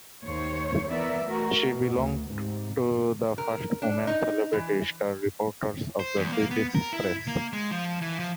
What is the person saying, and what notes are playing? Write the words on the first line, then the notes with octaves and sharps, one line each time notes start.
She belonged to the first women celebrity star reporters of the Swedish press.
D#2 C5 C#5
E3 B3 E4 A#4 D5 E5
A3 F#4 A#4
B2
D2
G#2 C3
A#4
D4
D#4
E3
C5
E2
A#3
B3
A#4
E4
A#3
G#3
F3
E3
F3